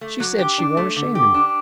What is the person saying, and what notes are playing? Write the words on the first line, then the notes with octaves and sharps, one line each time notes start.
She said she warn't ashamed of me.
A3
F#3
G4
D4
A3
D3
G4
D4